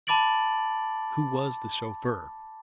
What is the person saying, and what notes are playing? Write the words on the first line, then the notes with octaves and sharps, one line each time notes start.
Who was the chauffeur?
A5 B5 D6 A6 D7 F#7